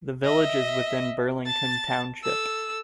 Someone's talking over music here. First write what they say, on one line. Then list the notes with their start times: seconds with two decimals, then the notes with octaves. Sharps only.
The village is within Burlington Township.
0.24 D#5 E5
1.47 A5 A6
2.23 A4 E6